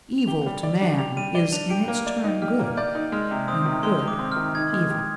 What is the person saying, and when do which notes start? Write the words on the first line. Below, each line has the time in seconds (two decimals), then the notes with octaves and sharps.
Evil to man is in its turn good, and good evil.
0.18 F7
0.27 G4 G7
0.46 G3
0.63 D5
0.81 D4
0.99 G4 F7
1.17 G3 D#7
1.35 D5 G7
1.52 D4 F7
1.70 G4 D7
1.88 A#3
2.06 D5
2.24 D#4
2.42 G4 F6
2.59 A#3
2.77 D5 G6
2.95 D#4
3.12 G#3 F6
3.31 C3
3.48 C4 D#6
3.66 D#3
3.83 G#3 C6
4.01 C3
4.08 D6
4.19 C4
4.32 D#3 F6
4.55 D#4 G#6
4.73 G#3
4.90 G4